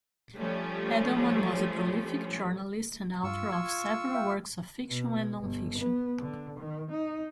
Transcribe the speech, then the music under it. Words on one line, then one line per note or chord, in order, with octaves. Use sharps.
Edelman was a prolific journalist and author of several works of fiction and non-fiction.
F3 G3 A3 C#4
G2 F4 C#6 E6
G#6
E5 F5 G5
B2
G1
B3
D3
D#3
D#4